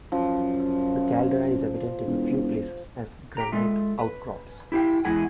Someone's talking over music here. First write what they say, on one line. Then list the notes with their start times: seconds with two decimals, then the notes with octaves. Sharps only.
The caldera is evident in a few places as granite outcrops.
0.12 F#2 F3
2.05 E1
3.37 G4 G5 A#5
3.52 G#3 F4 A4 E5
3.99 B4
4.72 E4 G4 A4 F5 G5
5.05 E2 G#3 E4 G#4 F#5 G#5